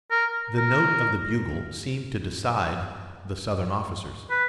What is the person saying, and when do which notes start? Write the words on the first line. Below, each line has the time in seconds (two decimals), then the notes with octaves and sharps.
The note of the bugle seemed to decide the Southern officers.
0.11 A#4
0.57 A#4
4.31 B4